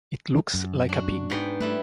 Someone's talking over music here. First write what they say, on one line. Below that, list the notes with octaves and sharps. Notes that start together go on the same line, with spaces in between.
It looks like a pig.
F#2
D4 F#4
G#2 B3 G5
G3 A3 E4 B4